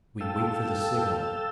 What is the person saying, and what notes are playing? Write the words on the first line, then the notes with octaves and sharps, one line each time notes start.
"We wait for the signal."
A4 F5 G5 A5 E6